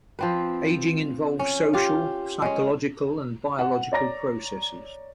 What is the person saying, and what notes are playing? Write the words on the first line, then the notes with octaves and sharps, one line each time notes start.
Aging involves social, psychological, and biological processes.
F3 C4 B4
C#4
F4 G4
G#3 C#4
F#5
C#5 D5 A#5 A#6